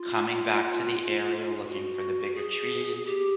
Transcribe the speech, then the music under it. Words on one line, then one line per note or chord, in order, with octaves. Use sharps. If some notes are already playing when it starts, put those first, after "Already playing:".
coming back to the area looking for the bigger trees,
Already playing: F4
F#4
G#4
G4